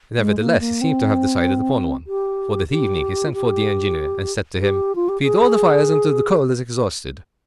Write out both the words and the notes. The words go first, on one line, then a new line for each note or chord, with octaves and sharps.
Nevertheless he seemed to have decided upon one, for that evening he sent for the engineer, and said to him, "Feed all the fires until the coal is exhausted."
G#3
A#3
A#3
C4
G4
G4
F4
G4
G4
F4
G4
G#4